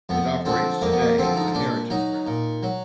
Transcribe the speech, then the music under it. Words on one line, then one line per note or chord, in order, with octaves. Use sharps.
It operates today as a heritage railway.
F2 B3
D3 F3 C4
F2 A#3
B3
A#3
D3 F3 C4
D#4
A#2 D4
F#3 D#4
A#2
F#3